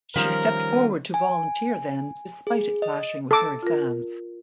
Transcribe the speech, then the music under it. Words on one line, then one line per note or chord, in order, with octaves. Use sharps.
She stepped forward to volunteer then despite it clashing with her exams.
D#3 F3 G3 C#4 A#4
G#5
G#4
D#5
A4 D6
F4 A#4